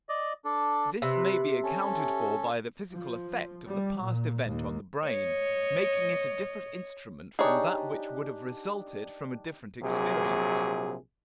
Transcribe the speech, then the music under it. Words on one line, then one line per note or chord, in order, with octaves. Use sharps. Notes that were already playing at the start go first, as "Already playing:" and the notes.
This may be accounted for by the physical effect of the past event on the brain, making it a different instrument from that which would have resulted from a different experience.
D5 D#5
D4 A4
C3 B4
C#4 A4
F3
G3
A#2
D#2
C#5 D#5
D4 D#4 G4 G#4 C#5
A#1 C3 F#3 G#4